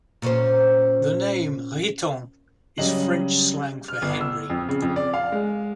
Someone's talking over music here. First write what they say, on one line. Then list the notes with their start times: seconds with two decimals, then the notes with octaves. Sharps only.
The name "Riton" is French slang for "Henry".
0.22 A#2 C#4 C5
2.78 C#3 F#3 G3 D#5 F#7
3.88 F6
4.02 G1
4.21 E6
4.50 F2
4.69 C#3
4.82 F2
4.96 D5
5.14 F5
5.32 G#3